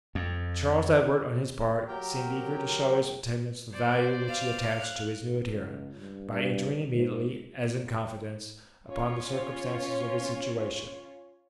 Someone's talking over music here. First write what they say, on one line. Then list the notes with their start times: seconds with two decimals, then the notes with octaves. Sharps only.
Charles Edward, on his part, seemed eager to show his attendants the value which he attached to his new adherent, by entering immediately, as in confidence, upon the circumstances of his situation.
0.15 F2
1.88 F#3 G4 A#4 G5
3.73 C5 D5
4.29 F5
4.81 F#6
5.53 C#2
5.98 G2
6.31 G2
6.92 G#2
8.88 C#4 F4 C#5